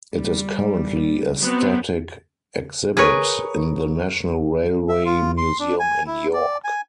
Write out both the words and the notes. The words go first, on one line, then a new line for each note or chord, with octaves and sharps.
It is currently a static exhibit in the National Railway Museum in York.
G3
F#3 B3 C4
G#4 A#4 B4 C#5
E5
F4
C6
D4
G#5
E4
D5
G#5